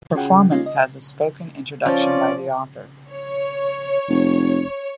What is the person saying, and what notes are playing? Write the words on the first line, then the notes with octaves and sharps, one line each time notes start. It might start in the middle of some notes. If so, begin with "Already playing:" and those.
The performance has a spoken introduction by the author.
C#4 F4 F#4 G#4 F#5 G5
G3 G#3 A#3 C#4 D#4 F4
D#5
F3 C#4 F4 D5
C#5
F1